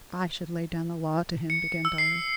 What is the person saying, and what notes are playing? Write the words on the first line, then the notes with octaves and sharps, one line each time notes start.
"I should lay down the law to him--" began Dolly.
C#7
E6
C7